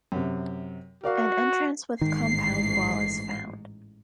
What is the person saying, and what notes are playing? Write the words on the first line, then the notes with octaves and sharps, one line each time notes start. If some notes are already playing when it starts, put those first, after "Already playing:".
An entrance with compound wall is found.
F#2 C3
F#4 A#4 D5 F5
A1 G#2 D#3 C7